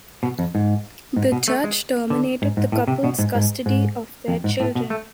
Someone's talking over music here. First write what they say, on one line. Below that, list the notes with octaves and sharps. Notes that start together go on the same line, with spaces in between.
The judge terminated the couple's custody of their children.
B2
F2
G#2
G#2
B2
A3
G#3
D3
G#2
G#2
A2
C3
B2
G#2
G#2
G#2
F2
G#2
A2
B2
A3